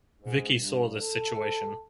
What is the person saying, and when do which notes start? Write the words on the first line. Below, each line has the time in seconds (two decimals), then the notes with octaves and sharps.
Vicky saw this situation.
0.22 G#2
0.59 G2
1.00 A4